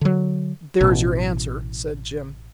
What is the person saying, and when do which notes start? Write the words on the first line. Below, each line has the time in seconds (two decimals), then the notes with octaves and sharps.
"There's your answer," said Jim.
0.01 D3 F#3
0.81 A1 B2